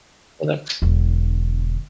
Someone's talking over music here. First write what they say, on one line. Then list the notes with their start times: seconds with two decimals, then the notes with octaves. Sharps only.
So, that's
0.82 E1 D3